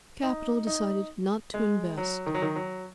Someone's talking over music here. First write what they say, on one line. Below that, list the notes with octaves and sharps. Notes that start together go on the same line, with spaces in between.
Capital decided not to invest.
D#4
D#4
G#3
F#3
D#3
F#3
D#3
F#3